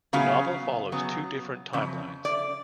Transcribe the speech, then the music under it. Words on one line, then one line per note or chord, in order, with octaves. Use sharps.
The novel follows two different timelines.
C#3 F#3 B3 F5
C#3 F#3 B3
F2 C#3
D5